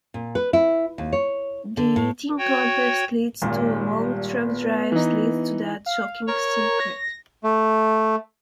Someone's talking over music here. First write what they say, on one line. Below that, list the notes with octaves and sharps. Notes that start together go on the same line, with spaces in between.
The eating contest leads to a long truck drives leads to that 'shocking secret'.
A#2
B4
E4
D#2
C#5
D3
A2
F#4 C#5 G5
G#1 D#2 A#2
G3
B3
E3 D#4
F5
A#4 C#5
A#6
A3